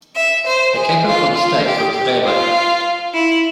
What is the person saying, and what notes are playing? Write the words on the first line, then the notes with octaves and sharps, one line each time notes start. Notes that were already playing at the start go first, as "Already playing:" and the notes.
The capital of the state was Rewa.
E5
C5
G#4
F4
F4
G4
G4
F4
E4